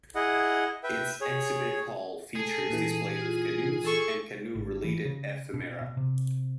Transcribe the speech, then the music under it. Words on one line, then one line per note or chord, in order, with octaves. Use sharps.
Its Exhibit Hall features displays of canoes and canoe related ephemera.
E4 G#4 D#5 F#5
B4 E5 G5
G#4 C#5
G#4 A4 A5
A#2 E3
F4
A4 C#6
G#1
E3
C#3
B2
B2
C3